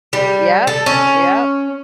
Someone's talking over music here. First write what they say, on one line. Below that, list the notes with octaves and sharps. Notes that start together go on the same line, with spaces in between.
yup, yup.
G3
A4
C#4